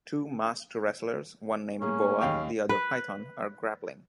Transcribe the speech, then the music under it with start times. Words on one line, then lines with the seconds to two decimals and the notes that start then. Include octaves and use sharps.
Two masked wrestlers, one named "Boa" the other "Python", are grappling.
1.81 A2 A#3 C#4 G#4
2.21 D#2 F5 G5
2.69 B4